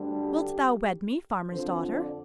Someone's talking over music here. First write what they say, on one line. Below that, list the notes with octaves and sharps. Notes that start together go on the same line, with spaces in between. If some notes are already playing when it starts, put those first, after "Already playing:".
'Wilt thou wed me, farmer's daughter?'
Already playing: D2 D3 G3
G4
F2 D3 F3 C5
D5